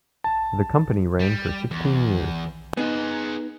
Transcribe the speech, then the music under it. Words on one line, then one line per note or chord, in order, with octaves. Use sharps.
The company ran for sixteen years.
A5
G3
E2
B3 D#4 G#4 F#5